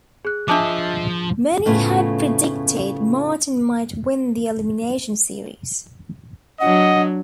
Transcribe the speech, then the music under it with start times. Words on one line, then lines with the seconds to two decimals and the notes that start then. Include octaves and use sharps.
Many had predicted Martin might win the elimination series.
0.25 G#4 F#6
0.48 F3 D4 D#5 E5 A5 D6
1.65 F2 A2 C#3 A3 B3 F4
6.60 F#3 D4 D#5 F#5